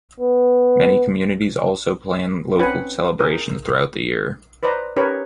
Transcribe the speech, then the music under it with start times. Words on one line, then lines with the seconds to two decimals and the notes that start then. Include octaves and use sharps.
Many communities also plan local celebrations throughout the year.
0.20 B3
2.59 C4 C#4 D#4 B4 F#5 G#5
3.19 D#4 G#4 A#4
4.63 B4 C5 D5 D#5 A#5
4.96 C#4 D#4 G4 A#4 B4 C#5